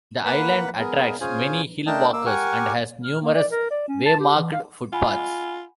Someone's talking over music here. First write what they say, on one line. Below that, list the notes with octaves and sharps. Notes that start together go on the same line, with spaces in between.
The island attracts many hill walkers and has numerous way-marked footpaths.
A#3 B4 F#5 B5
B3 G#4 A#4
C#4 F4 G#4 C5 G#5
A3 D4 A#4 D#5 G5 A5
A#3 D6 E6
G4 A#4 F#5 G#5 C#6 D6
F6
A#3
D5
A#4
D5
C#4
A5
G4
E3
F5
F4 F#5 G#5 B5